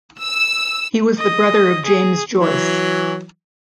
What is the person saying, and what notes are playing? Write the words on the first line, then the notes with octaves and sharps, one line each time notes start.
He was the brother of James Joyce.
E6
D#5
G#4
E3 F#3